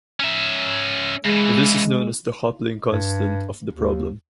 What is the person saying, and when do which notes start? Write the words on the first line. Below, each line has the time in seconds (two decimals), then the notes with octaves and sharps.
This is known as the Coupling constant of the problem.
0.20 C#4 E5
1.25 C#3 E3 G#3
2.90 G2
3.73 D#2